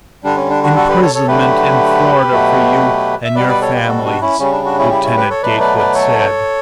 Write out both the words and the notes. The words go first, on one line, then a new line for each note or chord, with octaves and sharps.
"Imprisonment in Florida for you and your families," Lieutenant Gatewood said.
D3 G3 D4
C#4
D4
D4 F#4
F#4 A4
G4 B4
A4 C#5
A4 C#5
D3 F#3 A3 G4 B4
B2 F#3 A3
E5
B2 G3 B4 D5
B4 D5
A4 C#5
G4 B4
F#4 A4
D4 F#4
C#4 E4
C#3 G3 C#4
D4
D4 F#4
C#4 E4
E4 G4
C#4 E4
G4 B4
A4 C#5
B2 F#3 A3 B4 D5
B4 D5
B4 D5
A4 C#5